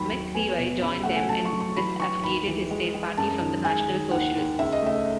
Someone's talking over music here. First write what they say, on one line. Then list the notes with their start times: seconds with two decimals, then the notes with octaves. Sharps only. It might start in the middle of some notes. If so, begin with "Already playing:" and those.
McLevy joined them and disaffiliated his state party from the national Socialists.
Already playing: D#2 F#3 B5
0.12 D#2
0.35 B3 G#5
0.58 B2
0.82 C#2 B5
1.04 A3 F#5
1.16 G#5
1.29 F#3 A5
1.45 C#6
1.52 F#3
1.60 C#6
1.76 E3 B5
2.00 E3 C#6
2.23 D#2 B5
2.47 E3
2.71 G#3
2.94 G#3
3.17 F#2 A5
3.41 D#3
3.64 G#3 G#5
3.88 D#3
4.11 D#2 F#5
4.35 D#2
4.59 C#2 E5
4.72 D#5
4.82 A3 E5